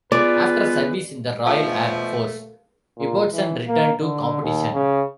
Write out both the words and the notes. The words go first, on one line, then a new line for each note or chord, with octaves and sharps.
After service in the Royal Air Force, Ibbotson returned to competition.
B3 F4 G#4 B4 D5
B2 F3 A3 F5 A5
A#2
E3
A#3
D3
D#2
C#3